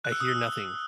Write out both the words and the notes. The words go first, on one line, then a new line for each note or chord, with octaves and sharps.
I hear nothing!
F#6
E6
D#6
E6